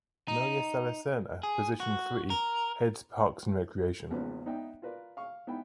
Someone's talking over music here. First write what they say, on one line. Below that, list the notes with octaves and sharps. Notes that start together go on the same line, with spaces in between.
Mariacela Serna, position three, heads parks and recreation.
D#4
G#4
F#4
A#4
G#1 E2 C#3 F3 A#3 B4
B3 D#4 D5 E5 G5
F4 A#4 B4 D5
F5 C#6
B3 D#4 E4 G5 B5